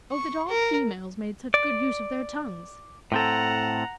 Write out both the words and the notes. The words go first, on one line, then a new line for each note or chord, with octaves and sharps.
Oh! that all females made such good use of their tongues!
C#6
A#4
D5
A2 C4 A4 F#5 A#5